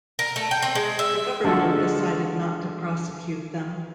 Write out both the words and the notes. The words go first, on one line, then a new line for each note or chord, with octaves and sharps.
The government decided not to prosecute them.
A#4
A3
G5
C4
G#3
E5
D3 F3 G#3 F#4 A4